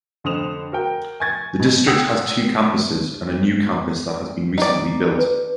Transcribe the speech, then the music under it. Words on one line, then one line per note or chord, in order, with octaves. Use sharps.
The district has two campuses and a new campus that has been recently built.
F2 D3 C5 D#6 E7 F7
F#4 A#4 G5
G#5 C#6 G#6 A6
B2
F#5 G5 D#6 E6 G#6
D#4 D5
B4